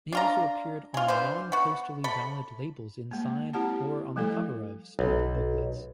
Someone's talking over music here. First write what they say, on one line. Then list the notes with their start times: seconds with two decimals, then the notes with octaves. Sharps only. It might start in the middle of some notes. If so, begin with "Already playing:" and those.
He also appeared on non-postally-valid labels inside, or on the cover of, stamp booklets.
0.12 D4 F4 A#5
0.94 F4 G#4
1.08 D3 B4 C5
1.52 B3 F#4
2.04 A4 B5
3.11 G#3 A#3
3.53 C4 E4 G4 F#5 A5
4.16 F3 G3 A3 E4 A4
4.99 B1